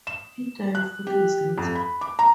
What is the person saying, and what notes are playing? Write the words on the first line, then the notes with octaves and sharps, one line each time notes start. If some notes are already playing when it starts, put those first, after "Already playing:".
He died four days later.
E7
F#6
G4
F2
B5
D6
A#5